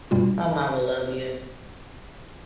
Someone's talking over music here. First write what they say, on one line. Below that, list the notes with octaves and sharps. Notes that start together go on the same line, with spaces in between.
My mom will love you.
G2 B2 G3 F4